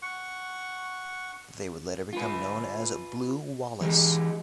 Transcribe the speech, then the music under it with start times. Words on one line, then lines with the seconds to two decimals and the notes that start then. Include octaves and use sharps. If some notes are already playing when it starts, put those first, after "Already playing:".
They would later become known as 'blue Wallis'.
0.02 F#5 C#6
2.13 F4 B4
3.81 E3 G#3 G4